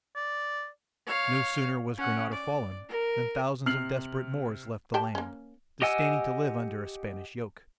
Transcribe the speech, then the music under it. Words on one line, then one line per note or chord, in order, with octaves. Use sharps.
No sooner was Granada fallen, than thousands of desperate Moors left the land, disdaining to live under a Spanish yoke.
D5
C#5 F5
C#4 F#5
D5
A#4
C3 F6 C7 F#7
G4 G5 A5
A#3 C#4
G4 D#5 F#5 G#5 E6